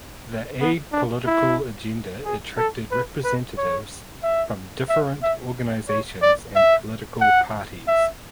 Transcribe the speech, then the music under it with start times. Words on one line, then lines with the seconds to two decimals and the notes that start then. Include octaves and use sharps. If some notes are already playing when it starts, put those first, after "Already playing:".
The apolitical agenda attracted representatives from different organizations and political parties.
0.60 B3
0.92 D4
1.26 E4
2.25 G#4
2.57 A4
2.92 B4
3.24 B4
3.58 C#5
4.23 E5
4.89 E5
5.23 E5
5.89 C#5
6.22 D5
6.56 E5
7.21 F#5
7.88 E5